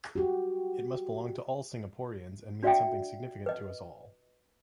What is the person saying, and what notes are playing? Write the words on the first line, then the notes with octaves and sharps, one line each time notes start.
It must belong to all Singaporeans and mean something significant to us all.
F#4 G4
D4 F#4 D5 E5 F#5 G5
B4 D#5